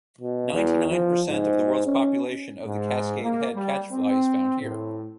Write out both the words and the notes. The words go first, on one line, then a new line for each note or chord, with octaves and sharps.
Ninety-nine percent of the world's population of the Cascade Head catchfly is found here.
B2
E2
F3
G#2
C#4
G#2
A#3
G3
C4
A2